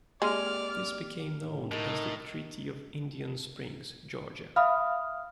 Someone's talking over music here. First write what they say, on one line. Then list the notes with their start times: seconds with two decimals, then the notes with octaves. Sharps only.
This became known as the Treaty of Indian Springs, Georgia.
0.22 G#3 A#3 C4 G4 D5 F6
1.39 A2
1.72 A2 D#4 A#4 D#5
4.56 E5 F5 B5 D#6 F6